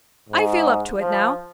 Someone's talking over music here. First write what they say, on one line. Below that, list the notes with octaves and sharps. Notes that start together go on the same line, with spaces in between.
I feel up to it now.
G#2
F3